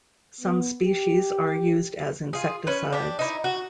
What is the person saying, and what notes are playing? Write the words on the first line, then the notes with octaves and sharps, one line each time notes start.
Some species are used as insecticides.
B3
G4
F4 G#4
C#4 B4
D4 G4
D#4 E4
F#4